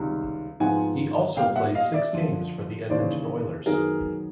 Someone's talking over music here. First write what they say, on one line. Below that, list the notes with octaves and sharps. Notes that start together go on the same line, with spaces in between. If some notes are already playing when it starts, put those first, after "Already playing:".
He also played six games for the Edmonton Oilers.
Already playing: C#2 C3 D#3 G3
G#2 F3 G#3 B3 F#5 G#5
A#2 G3 B3 F5 G5
E5 F#5
D#5 F5
D5 E5
F2 D3 F3
D#2 C#3 E3 C5 D5
F#2 D#3 F#3 B3 G#4 A#4